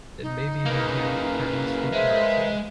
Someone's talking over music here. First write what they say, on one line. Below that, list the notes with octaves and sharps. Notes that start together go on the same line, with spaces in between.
It may be her hand carelessly counterfeited.
D#4
C#3 A#3 A#4 B4 F5
G#3 C5 E5